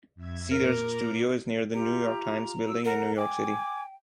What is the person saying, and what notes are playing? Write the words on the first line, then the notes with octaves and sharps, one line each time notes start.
Seder's studio is near the New York Times building in New York City.
F2 E5 G#6
A#2 A#4 D6
F4 G4 A#5
F#4 E6
A#4 F#5 A#5
G5 G#5 D6